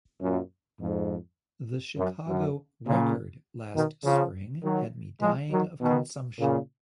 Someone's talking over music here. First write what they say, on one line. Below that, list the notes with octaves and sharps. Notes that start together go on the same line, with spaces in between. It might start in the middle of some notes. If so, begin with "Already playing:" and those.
The Chicago "Record" last spring had me dying of consumption.
F#2 A#2
F2 G#2
F#2
F#2
A#2 C#3
B2 D#3
C#3 F3
D#3 F#3
F3 G#3
D#3 F#3
B2 D#3
A#2 C#3